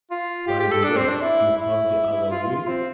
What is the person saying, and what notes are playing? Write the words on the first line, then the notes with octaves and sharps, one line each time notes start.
"By the way, you have the other will?"
F4
G4
G4
A4
D4
C4
D4
E4
E4
F4
F4
F4
C4